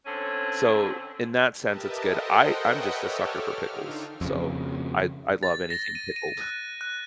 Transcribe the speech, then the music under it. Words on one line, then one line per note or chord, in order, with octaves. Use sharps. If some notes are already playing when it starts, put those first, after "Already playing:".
So in that sense, it's good. I I'm just a sucker for pickles. So I I love anything pickled.
D3 C4 C#4
G4 A#4 B4 D#5 E5 A5
A4 A#4 C5 D#5 F#5 G5
B4 C#5 D#5 E5 F#5 G5
G4 A4 C#5 D6 E6 F6
F6
D3 D#4 F4
F2 C#3
A6
A#6
D#7
D#7
F#6
F#6